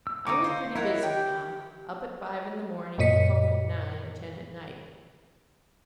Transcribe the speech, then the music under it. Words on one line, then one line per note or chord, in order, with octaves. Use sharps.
I was pretty busy now; up at five in the morning, and home at nine or ten at night.
E6
D3 D#4 A#5 C#6 D6
C5 F5
E4 A#4 C#5 D#5 F#5
G4 G5
F#2 A#2 C#5 D#5 B6 C#7